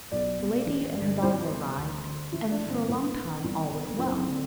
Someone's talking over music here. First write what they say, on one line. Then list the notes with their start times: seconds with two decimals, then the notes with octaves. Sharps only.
The lady and her daughter arrived, and for a long time all went well.
0.12 B1 D5
0.39 B2
0.67 A1
0.95 G2 D3
1.22 C2 C5
1.50 B2
1.77 D2
2.05 D3
2.32 A1 E4
2.51 D4
2.61 G2 D3
2.70 C4
2.88 C2 B3
3.16 B2
3.44 C2
3.71 B2
3.99 F#1 C4
4.27 D3